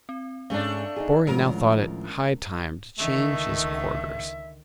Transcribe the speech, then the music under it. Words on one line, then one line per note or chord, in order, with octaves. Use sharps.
Borri now thought it high time to change his quarters.
C4
G#2 G#3 A3 C#4 D4 F5
D#4 F4 G#4
A2 D#3 F3 G#3 C#4 D4 A#4
C#2 D3 D#3 A3 E5